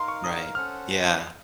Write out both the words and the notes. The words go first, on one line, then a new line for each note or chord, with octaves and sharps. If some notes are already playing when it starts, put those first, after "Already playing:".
Right. Yeah.
Already playing: D#4 A#4 F5 C6
C#6
D#6
C#4 A4 C5 F#5 F6